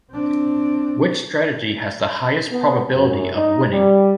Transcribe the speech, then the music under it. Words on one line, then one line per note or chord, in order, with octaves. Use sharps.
Which strategy has the highest probability of winning?
C4 D4
B3
F#2
D#4
G3